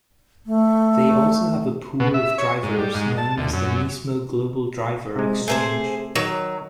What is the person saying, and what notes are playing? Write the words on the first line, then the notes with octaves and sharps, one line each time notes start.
They also have a pool of drivers, known as the Nismo Global Driver Exchange.
A3
B2
E5
C#5
G#2
G3
G#2
A5
D2
F#2
C3 G#3
C3 A3 G#4 A#4 C5
D#3 F#3